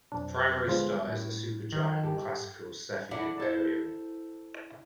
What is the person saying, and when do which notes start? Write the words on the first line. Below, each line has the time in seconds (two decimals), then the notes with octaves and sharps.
The primary star is a supergiant Classical Cepheid variable.
0.12 B1 F2 D4
0.67 D2 D3 F3 G#3 B3 F4
1.08 A2
1.72 D#3
2.03 G2 G4 A4
3.11 D4 E4 F#5
3.40 A4 C5